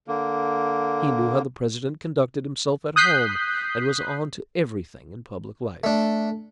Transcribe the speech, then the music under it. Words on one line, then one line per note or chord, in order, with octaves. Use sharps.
He knew how the President conducted himself at home, and was 'on to everything' in public life.
D3 A#3
D#6 F#6 G6 B6 C7
A3 D4